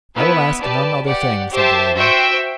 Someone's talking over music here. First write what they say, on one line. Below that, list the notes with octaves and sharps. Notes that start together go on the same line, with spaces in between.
I will ask none other thing, said the lady.
B3 E4 B4
G4 B4 D5 A5
G4 D5 F#5
G4 C5 E5 A5
F#4 C5 E5 G5